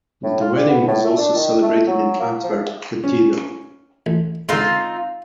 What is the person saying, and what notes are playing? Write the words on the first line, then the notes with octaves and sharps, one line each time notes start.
The wedding was also celebrated in Antwerp Cathedral.
A2
F4
G3
B3
A2
A3
D4
D#3
A3
F#3
A#3
F3
C#4
A1
G#2 D3 C4 D#4 F4